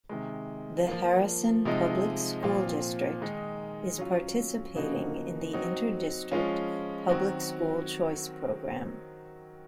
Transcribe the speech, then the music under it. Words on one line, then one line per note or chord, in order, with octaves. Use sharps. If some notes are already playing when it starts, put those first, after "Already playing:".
The Harrison Public School District is participating in the Interdistrict Public School Choice Program.
C3 D#3 G#3
F3 A#3 F4
C3 F3 G#3 D#4
A#2 F3 C4 F4
D#3 G#3 D#4
F#3 C#4 F4
C#3 F3 A#3 D#4 F#4
F#3 C4 D#4 F#4
F3 G#3 C#4 F4
D#3 F#3 C4 F#4